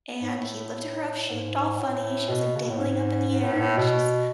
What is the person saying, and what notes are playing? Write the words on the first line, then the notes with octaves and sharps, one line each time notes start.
and he lifted her up, she looked all funny, she was, like, dangling up in the air, and she's,
G#2
A2
G#2
A2
B2
C#3
B2
A2
G#2
G#2
A2
G#2
A2
B2